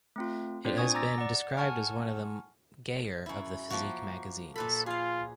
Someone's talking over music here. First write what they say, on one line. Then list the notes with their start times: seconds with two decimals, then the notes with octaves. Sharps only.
It has been described as one of the "gayer" of the physique magazines.
0.16 A3 C4 F4
0.64 C4 D4 F4 C5 D5
0.77 G#5 C#6 D#6 G#6
0.95 A#5 D6 E6 A6 A#6
1.18 D5 F#5
1.57 F#5 G#5 A5 C#6 F6
3.26 F#2 E4
3.70 F3 A#3 F#4
4.56 A#2 A4 B4 B5
4.86 F4 G#4 F5